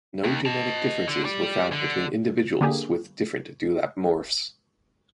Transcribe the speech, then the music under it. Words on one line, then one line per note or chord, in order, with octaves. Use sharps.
No genetic differences were found between individuals with different dewlap morphs.
D#2
D#5 A5
D3
G4 D5
D3
D3 A#3 G4 G#4